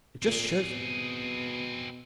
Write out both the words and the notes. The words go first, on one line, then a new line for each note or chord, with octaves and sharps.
It just shows.
A#2 C4 G#4
B2